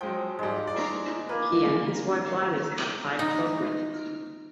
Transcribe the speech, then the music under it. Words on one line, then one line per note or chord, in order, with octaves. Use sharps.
He and his wife Gladys had five children.
F3 F#3 G#3 G5
G#2 G3 G#3
D5
A#3 F4 A#4 B4
D#4